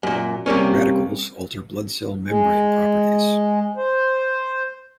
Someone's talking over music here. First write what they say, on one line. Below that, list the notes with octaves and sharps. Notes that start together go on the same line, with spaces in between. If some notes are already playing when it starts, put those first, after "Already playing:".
Radicals alter blood cell membrane properties.
F#2 A#2
C3 G3 A#3 C#4
G#3
C5